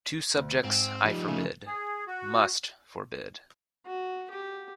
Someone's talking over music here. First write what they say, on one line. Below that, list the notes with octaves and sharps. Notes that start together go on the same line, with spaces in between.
Two subjects I forbid — must forbid.
D2
G#2 C4
F3 G3 D#4
C#3 A3
G#4
F#4
F#4
G4